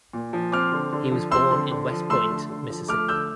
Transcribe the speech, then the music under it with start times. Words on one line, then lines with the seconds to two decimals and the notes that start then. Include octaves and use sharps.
He was born in West Point, Mississippi.
0.13 A#2
0.33 F3
0.52 C4 D6 F6
0.72 D3
0.93 D3
1.12 F3
1.31 C4 C6 E6
1.51 D3
1.72 D3
1.90 F3
2.10 A3 C6 E6
2.30 D3
2.50 D3
2.70 F3
2.88 A3 D6 F6
3.08 D3 E6 G6